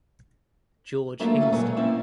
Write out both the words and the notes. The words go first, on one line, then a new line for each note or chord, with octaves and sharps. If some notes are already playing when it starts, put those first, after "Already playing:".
George Hingston.
F#3 A3 A#3 D4 F4
F#3 G#3 A3 C#4 F4 F#4
G2 A#2 F#3 G#3 C#5
A#3 C4 C#4 E4 D5